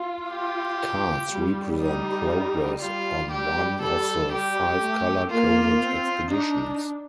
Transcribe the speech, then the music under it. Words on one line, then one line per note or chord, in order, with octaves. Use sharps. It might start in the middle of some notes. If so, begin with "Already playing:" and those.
Cards represent progress on one of the five color-coded expeditions.
Already playing: F4
G4
G3
G3 D#4
G3 F4
G3 G4
G3 A4
G3 G4
A3
A#3 F4
C4
D4 D#4